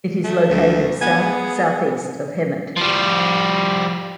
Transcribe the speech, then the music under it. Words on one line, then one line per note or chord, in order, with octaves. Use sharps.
It is located south-southeast of Hemet.
A3
D2
B3 G#5
G#4
F3 G3